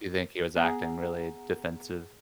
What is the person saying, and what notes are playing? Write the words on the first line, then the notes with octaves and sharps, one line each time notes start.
Do you think he was acting really defensive?
B3 G#4 F#5 A#5